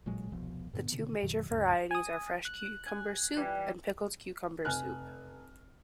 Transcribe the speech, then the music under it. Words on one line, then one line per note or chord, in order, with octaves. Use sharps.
The two major varieties are fresh cucumber soup and pickled cucumber soup.
A1 A#2 F#3 G#3
E1 C2 B2 F3
G2 A#2 D3 B3
B2 D3 D#3
F#2 B2 D#3 F#3
D2 G2 C#3
G#5 D#6
F#6
G#5
E3 G3
F1 G#5 F6 F#6